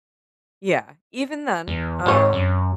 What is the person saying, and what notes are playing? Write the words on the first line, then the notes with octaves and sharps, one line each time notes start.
yeah, even then, um
E2
G#2 C4 C#5
F#2